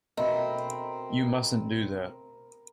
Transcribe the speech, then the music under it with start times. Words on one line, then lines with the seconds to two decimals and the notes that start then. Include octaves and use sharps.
You mustn’t do that.
0.17 B2 A3 C4 A#4 D#5 B5